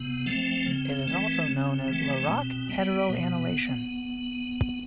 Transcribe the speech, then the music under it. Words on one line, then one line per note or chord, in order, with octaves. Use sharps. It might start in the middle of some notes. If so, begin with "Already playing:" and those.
It is also known as Larock heteroannulation.
Already playing: C3 B3
F3 A3 C4
C#3
E3 A3
C#3
E3 A3
B2 C4
G3 B3
B2 B3